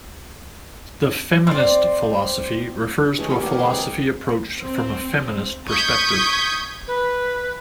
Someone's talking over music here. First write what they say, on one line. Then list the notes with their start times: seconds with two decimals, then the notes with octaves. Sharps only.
The Feminist philosophy refers to a philosophy approached from a feminist perspective.
1.47 C4 D5
3.18 E3 G#3 A3 C#5
3.30 G4 A4 A#4
3.42 G4 A#4 D5 F#5
3.58 G#3 C4 B4 C6
3.71 G#3 C4 A#4
4.60 C4
5.69 C#6 D#6 G6 G#6 B6
6.87 B4